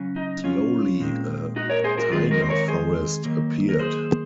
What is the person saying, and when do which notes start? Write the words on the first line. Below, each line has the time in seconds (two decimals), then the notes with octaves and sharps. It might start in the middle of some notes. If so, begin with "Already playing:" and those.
Slowly a taiga forest appeared.
Already playing: C#3 F#3 C#4
0.16 D#4
0.44 C#4 F4
1.00 A#2 G#3 C4
1.56 D#4 F#4
1.70 A#4 C#5
1.84 G#4 C5
1.98 F#4 A#4
2.12 D#3 G#3 C4 F4 G#4
2.31 F#4 A#4
2.42 C5
2.49 A#4 C#5
2.68 G#4 C5
3.23 D#3 F#3 A#3
3.69 A#4
3.79 G#4 C5